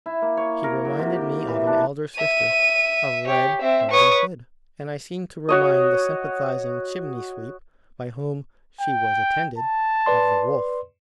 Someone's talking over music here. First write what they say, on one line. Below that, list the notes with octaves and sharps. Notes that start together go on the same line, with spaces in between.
She reminded me of an elder sister of Red Riding Hood, and I seemed to remind the sympathising Chimney Sweep by whom she was attended, of the Wolf.
E4
A#3
C#5
A#4
F#3
C3
G4
E3
D4
E5 D#7
G4 C#5
C4 E5
B4 C#5 C#6 D#6
F#4 C#5 D#5
G5
A5
B4 D5 C6